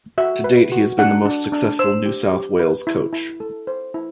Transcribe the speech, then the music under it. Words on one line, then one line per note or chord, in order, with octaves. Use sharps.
To date, he has been the most successful New South Wales coach.
F#4 E5
B4
F#4
D4 F#5
D4
D4
C5 E6
G4
G4
B4
E4
E4
A4
C5
E4